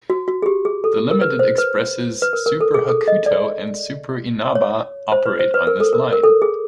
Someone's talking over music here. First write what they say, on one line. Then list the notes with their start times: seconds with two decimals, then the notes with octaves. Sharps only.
The limited expresses "Super Hakuto" and "Super Inaba" operate on this line.
0.10 F#4
0.28 F#4
0.42 G#4
0.46 G4
0.65 G#4
0.84 A4
1.11 A#4
1.21 B4
1.39 C5
1.58 B4
2.22 B4
2.33 A#4
2.46 A#4
2.61 A4
2.74 G#4
2.88 A4
3.08 D#5
3.26 D5
4.55 C#5
5.12 C5
5.26 B4
5.39 C5
5.54 B4
5.67 A#4
5.80 A4
5.93 A#4
6.13 A#4
6.24 A4
6.42 G#4